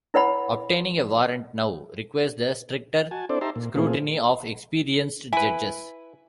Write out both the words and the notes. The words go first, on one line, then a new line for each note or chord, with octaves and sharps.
Obtaining a warrant now requires the stricter scrutiny of experienced judges.
E4 B4 C#5 F#5 B5
F#4 G#5 A5
C4 D4 E4 A4 C5 D5
D#4 G4 E5 A5 A#5 C6
A#2
A#2 A3 C4 F4 G#4
E4 B4 G#5